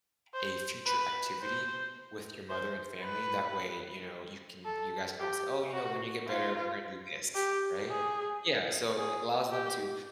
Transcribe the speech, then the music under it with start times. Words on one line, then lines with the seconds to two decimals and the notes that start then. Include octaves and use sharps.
a future activity with your mother and family. That way, you know, you can you guys can always say, "Oh, you know, when you get better, we're gonna do this," right? Yeah, so it allows them to
0.34 C5
0.87 B4
1.41 C5
2.49 C5
3.03 B4
4.65 A4
5.19 G4
5.73 F#4
6.27 F4
7.35 G4
7.89 G#4
8.97 G#4
9.52 G4